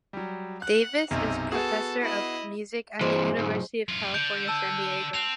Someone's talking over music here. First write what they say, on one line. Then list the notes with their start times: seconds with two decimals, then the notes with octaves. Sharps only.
Davis is professor of music at the University of California, San Diego.
0.13 F#3 G3
0.62 F#5 F#6
1.11 B1 F#2 C3 D#4
1.52 B3 F#4 G#4 A4
2.02 E4 D#5
3.01 G2 E3 G#4 C5 D#5
3.38 B1 G#2
3.88 F#2 F4
4.14 D3 G6 D7
4.48 A5 E6
5.14 C4 F7